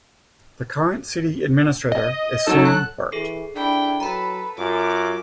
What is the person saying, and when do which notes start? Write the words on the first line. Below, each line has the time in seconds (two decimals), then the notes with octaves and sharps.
The current City Administrator is Sam Burt.
1.92 D#5
2.47 F#3 D#4 A4
2.66 F#6
3.12 E3 G#4 A4 C7
3.55 D4 E4 G5
4.00 F#3 A4 B4 A#5 B5
4.58 F#2 F4 D6